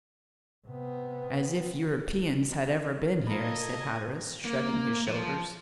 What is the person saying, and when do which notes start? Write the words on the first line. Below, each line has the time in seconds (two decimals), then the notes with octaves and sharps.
"As if Europeans had ever been here!" said Hatteras, shrugging his shoulders.
0.68 C3 B3
3.27 A#3 F4 A4 A#4 D#5 A#5 B5 G#6
4.45 A#3
5.08 F3